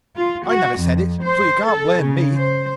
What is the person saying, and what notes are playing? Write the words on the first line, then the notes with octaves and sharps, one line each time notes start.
"I never said it--so you can't blame me."
F4
F#4
F2
C5
A4
C#3
C5